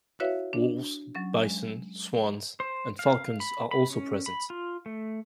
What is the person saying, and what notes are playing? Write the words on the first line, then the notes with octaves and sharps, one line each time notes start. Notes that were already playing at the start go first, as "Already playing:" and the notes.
Wolves, bison, swans, and falcons are also present.
E4 F#4 B4 C#5 E5 F5
D4
F#3 C#4 A6
G#3
C5
F5
B5
B5
C#4
B5
F4
A3